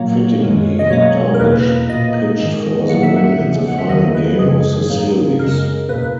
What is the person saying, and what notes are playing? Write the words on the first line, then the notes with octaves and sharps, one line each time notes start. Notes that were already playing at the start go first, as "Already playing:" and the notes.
Fittingly, Darvish pitched for the win in the final game of the series.
Already playing: A#2 F#3 A#3 C#5
F#2 E3 G#3
D#5
B2 F#3 A#3 C#5
A#4
E2 B2 A#3 B4
A#2 A#3 D#5
G#2 D#3 G#3
A#2 F#3 A#3 F#5
E5
F#5
E2 C#3 E3 G#3
F#5
E5
E2 D#3 A#3 D#5
B4
F#2 C#3 G#3 G#4
G#2 F#3 A#3
F#2 C#3 G#3 A#4
E2 B2 A#3 B4
B4